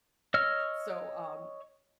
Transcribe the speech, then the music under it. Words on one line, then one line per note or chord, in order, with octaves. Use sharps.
So, um
C#5 D#5 E6 F6